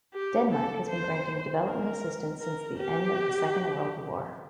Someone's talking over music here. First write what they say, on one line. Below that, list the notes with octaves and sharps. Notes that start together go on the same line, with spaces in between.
Denmark has been granting development assistance since the end of the Second World War.
G4
A4
C5
A#4
A#4
G4